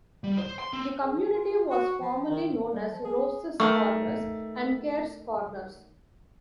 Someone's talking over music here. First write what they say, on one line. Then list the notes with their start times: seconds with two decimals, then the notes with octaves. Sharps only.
The community was formerly known as "Rose's Corners" and "Kerr's Corners".
0.24 G3
0.38 C5
0.59 C6
0.73 C4
1.02 G#4
1.16 F3
1.34 F4
1.70 F#4
2.01 F3
2.30 D#3
2.50 G#2
2.73 G3
2.92 F3
3.05 G#4
3.60 D#3 F#3 A3